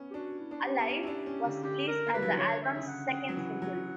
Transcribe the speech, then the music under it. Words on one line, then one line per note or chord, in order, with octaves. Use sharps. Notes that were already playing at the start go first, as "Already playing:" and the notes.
"Alive" was released as the album's second single.
Already playing: B3 C#4
G4
D4 F#4
E4
D4
G4
B3
C#4
E4
D4
C#4
D3
D3 G4
A#4
A#3
G3 B4
F#3
E3
D3 C#5
E5
C#3
F#5
C#3
F#3
E3
F#3